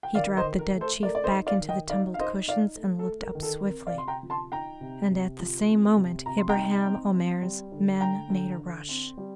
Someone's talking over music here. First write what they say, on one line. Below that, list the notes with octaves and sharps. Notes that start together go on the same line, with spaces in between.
He dropped the dead chief back into the tumbled cushions and looked up swiftly, and at the same moment Ibraheim Omair's men made a rush.
G5
D#3 D5 F5
C5 D#5
D#3
A#4
A3
A4 C5
A3 A#4 D5
D5
C5 D#5
D#4
D5 F5
D#3
D#5 G5
D#4 D5 F5
F5
D#4 C5 D#5
D#4 D5 F5
A3
A4
A3
A#4
D#3
A4
C4 A#4
D5 F5
C3 C6
G5 A#5
F3
A5 C6
D#4 G5 A#5
C3
C3
F3
C4
C3
C3 A#5
C6
G5 A#5
D#4
C4
C4
G3
D3
D3 G5 A#5
D3
D3
C4
G3